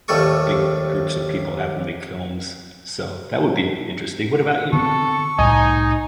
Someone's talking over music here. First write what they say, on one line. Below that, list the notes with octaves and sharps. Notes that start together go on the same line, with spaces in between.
uh, big groups of people having to make films. So that would be interesting. What about you?
D#2 F3 G3 A3 A4 C#6
D3 B3 C4 A4 C#6
C2 A2 D#4 G#5